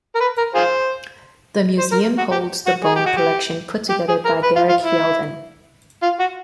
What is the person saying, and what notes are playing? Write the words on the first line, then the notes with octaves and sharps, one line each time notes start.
The museum holds the bone collection put together by Derek Yalden.
A#4
B4
A#4
F4 G#4 C5
C5
A#4
F#4
G4
F#4
G#4
G4
F#4
G4
G4
G#4
A#4
B4
F4
F4
E4
F4
F#4